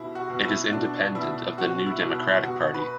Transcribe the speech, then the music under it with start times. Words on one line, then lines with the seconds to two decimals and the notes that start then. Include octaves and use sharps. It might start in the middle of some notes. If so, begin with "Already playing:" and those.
It is independent of the New Democratic party.
Already playing: B2 E4
0.15 F#4
0.30 B2
0.44 E4
0.72 B2 D4
1.15 B2 E4
1.58 B2 F#4
1.86 E4
2.00 B2
2.15 E4
2.43 B2 F#4
2.74 B4